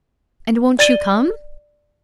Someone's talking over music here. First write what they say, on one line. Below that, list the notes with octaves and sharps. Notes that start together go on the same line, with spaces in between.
'And won't you come?'
D5 A6 D#7 G7